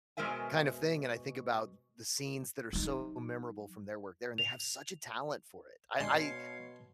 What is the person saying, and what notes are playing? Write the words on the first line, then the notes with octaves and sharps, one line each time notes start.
kind of thing. And I think about the scenes that are so memorable from their work there, and they have such a talent for it. I I
B2 G#3 A#4 C5 E5 G#5
F#3 D#4
F7
B2 G#3 D4 C#5 F5 C6